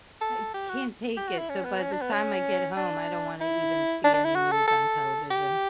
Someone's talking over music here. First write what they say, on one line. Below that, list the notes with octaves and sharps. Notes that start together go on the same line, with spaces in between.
I can't take it. So, by the time I get home, I don't wanna even see any news on television,
A4
G4
F#4
G4
F#4
E4
C#4
B3
C#4
D4
B3
C#4
D4
E4
D4
D4
E4
F#4
A4
A4
G4